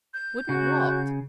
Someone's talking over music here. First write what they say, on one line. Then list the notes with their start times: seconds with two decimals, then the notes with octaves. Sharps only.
"Wouldn't what?"
0.14 G6
0.49 C#3 C#4 F#4